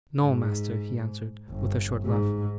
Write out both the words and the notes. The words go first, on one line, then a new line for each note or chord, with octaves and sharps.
'No, master,' he answered with a short laugh.
G#2
G1
G#2